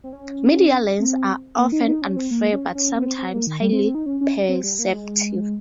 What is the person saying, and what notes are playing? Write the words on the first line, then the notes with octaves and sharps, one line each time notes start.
Media Lens are "often unfair but sometimes highly perceptive".
C4
C#4
C4
A#3
D#4
C#4
D#4
C#4
C#4
C4
A#3
C#4
C#4
C4
C4
A#3
D#3
G3
C4
C4
D#4
C#4
C#4
C4
G3
A#3
G#3